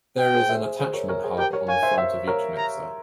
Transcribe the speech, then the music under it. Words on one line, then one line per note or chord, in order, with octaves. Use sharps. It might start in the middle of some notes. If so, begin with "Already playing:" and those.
There is an attachment hub on the front of each mixer.
G5
G#4 C5
C5 E5
G#4 C5
G#4 C5
A#4 C#5
A#4 C#5
G#4 C5
G4 A#4 G5
A#4 C#5
C#5 F5 G#5
C5 E5
C5 E5
A#4 C#5
A#5